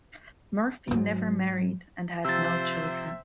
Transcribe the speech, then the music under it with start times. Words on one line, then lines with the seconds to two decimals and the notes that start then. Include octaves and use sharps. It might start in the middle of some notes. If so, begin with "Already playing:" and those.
Murphy never married and had no children.
0.88 G#2 F#3
2.25 C3 F3 C5 E5 E6 A6